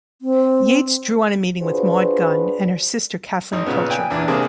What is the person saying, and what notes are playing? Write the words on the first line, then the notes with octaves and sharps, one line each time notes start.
Yeats drew on a meeting with Maud Gonne and her sister Kathleen Pilcher.
C4
D4 F4 F#4 G#4 B4 C5
G#1 D#4
A#2 C#3 B3
G5 G#5
E2 A#2 E3 D4
C3 A#3 C4 D4 G#4